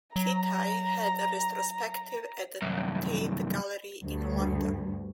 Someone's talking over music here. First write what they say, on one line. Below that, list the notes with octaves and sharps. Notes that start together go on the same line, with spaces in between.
Kitaj had a retrospective at the Tate Gallery in London.
F#3 A#5
C2 F#2
D2 G2